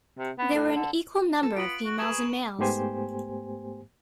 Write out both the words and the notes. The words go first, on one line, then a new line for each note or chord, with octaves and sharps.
There were an equal number of females and males.
C3
B3
A2
D3
A4
B3 F4 D7 F#7
F#4
G#4 A#4 B4 C#6 E7 F#7
G#2 A3 B3 G4 C5 G#5